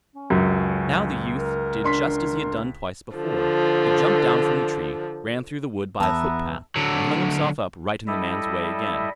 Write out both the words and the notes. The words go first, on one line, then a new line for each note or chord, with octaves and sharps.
Now the youth did just as he had done twice before; he jumped down from the tree, ran through the wood by a footpath, and hung himself up right in the man's way again.
C#4
C#2 F#2
A#4
D4 C6 B6
D3 F3
E2 B3 E5 A5 A#5
D3 F#3
G3 E4 A4 D#5 E5